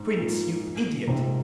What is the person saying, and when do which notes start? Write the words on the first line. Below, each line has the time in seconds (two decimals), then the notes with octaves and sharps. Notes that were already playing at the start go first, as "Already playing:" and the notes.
"Prince, you idiot!"
Already playing: G#2
0.18 A#2
1.07 G#2 C3